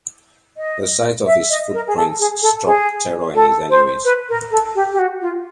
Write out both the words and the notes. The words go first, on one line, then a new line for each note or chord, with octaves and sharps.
The sight of his footprints struck terror in his enemies.
D#5
E5
D#5
A#4
G#4
A4
G#4
A4
G#4
A4
C5
B4
A#4
A4
G4
G4
F#4
F4